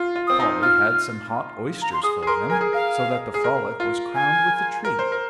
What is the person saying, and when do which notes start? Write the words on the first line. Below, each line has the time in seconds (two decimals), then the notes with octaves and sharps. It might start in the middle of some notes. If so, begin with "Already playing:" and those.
Polly had some hot oysters for them, so that the frolic was crowned with a treat.
Already playing: F4
0.16 F4
0.27 C4 D#6
0.40 D#4
0.62 F4 F6
1.82 A#5
1.93 C6
2.03 G#4 D#6
2.23 G#4
2.27 A#4 C6
2.50 A#4 G#5
2.61 G#4
2.73 A#4 F5
3.34 G#4
3.44 A#4
3.80 F4
4.15 G#5
4.85 A#4
4.99 C5
5.12 A#4